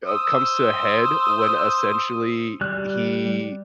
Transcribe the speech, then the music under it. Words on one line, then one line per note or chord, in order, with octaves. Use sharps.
w uh, comes to a head when essentially he
C5 D#6 E6
G3 F#6